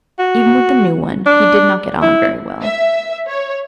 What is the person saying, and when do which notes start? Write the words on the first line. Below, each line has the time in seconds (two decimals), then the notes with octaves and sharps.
Even with the new one he did not get on very well.
0.19 F#4
1.26 D4
2.02 E4
2.63 E5
3.29 C#5